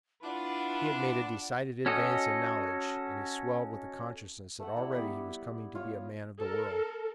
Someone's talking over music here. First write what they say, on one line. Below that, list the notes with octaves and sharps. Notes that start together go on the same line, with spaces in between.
He had made a decided advance in knowledge, and he swelled with the consciousness that already he was coming to be a man of the world.
D4 E4 F4 B4 F#5
C#4 F#4 A4 D#5
A3 E5 F#5
E4 D5 F#5 A#5
G3 B3 F#5 B5
F4 C#5
A4 A#4